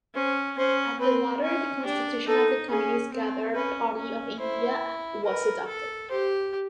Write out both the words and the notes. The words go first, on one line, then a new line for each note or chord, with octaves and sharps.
At the latter the Constitution of the Communist Ghadar Party of India was adopted.
C#4 C5
C#4 C5
C4 B4
C#4
D4 G4
D#4 A4
C#4 G#4
C4
C#4 B4
C#4
E4 C5
A#4 B4
A4
G4 C5